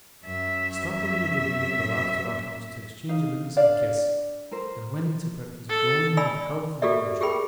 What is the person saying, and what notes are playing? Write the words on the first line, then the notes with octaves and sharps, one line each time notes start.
We stopped under the lee of the lobster-outhouse to exchange an innocent kiss, and went in to breakfast glowing with health and pleasure.
F#2 E5
D#4 F5
D4 D5 F5
A#4 C5
A4
D5 G#5 A5 B5 E6
F#4 G4 A4 A#4 D5 E5
G4 G#4 A#4 G5 B5